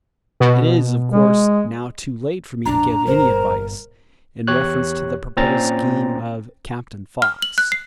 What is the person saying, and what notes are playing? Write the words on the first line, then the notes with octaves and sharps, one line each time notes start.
It is, of course, now too late for me to give any advice in reference to the proposed scheme of Captain Fox.
B2
G#3
A#1 F2 D4 A#5
G1 A#2 A#4 C5
E2 G4 C#5 F#6
A#2 C4 C#4 A#5 A6
F6
F#7
F#6
C7